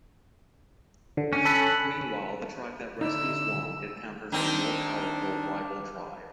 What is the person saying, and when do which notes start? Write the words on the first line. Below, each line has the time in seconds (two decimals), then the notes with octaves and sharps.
Meanwhile, the tribe that rescues Wong encounters a more powerful rival tribe.
1.17 D3
1.33 C#4
1.45 A4 B5 F#6
3.01 D3 D#4 E4 D5 E6
4.32 D#3 C4 D4